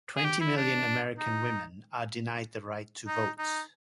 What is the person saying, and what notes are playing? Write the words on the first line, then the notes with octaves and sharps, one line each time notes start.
Twenty million American Women are denied the right to vote.
G#4
G4
E4
D4
D#4
D#4
D#4